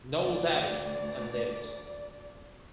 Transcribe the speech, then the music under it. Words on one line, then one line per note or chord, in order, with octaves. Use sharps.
Noel Davis and Lieut.
D2 D5